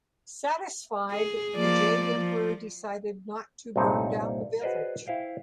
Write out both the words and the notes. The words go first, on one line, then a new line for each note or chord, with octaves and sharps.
Satisfied, the Jade Emperor decided not to burn down the village.
G#4
F3 A#3 D5
F3
C2 G2 A#2 C4 D#4 C#5
F#4 G#4 B4 C5 D5 D#5
E4 C5 F5 G5 G#5